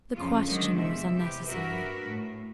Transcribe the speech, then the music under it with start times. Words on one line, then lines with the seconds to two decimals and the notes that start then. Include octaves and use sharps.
The question was unnecessary.
0.15 F2 C#3 F4
0.45 D3 D#3 F#3 G#3 C4 C#4
0.77 E2 C3 E3 E5
1.14 C3 G4 B4
1.47 G2 F#4 A#4 B4 E5
2.05 A2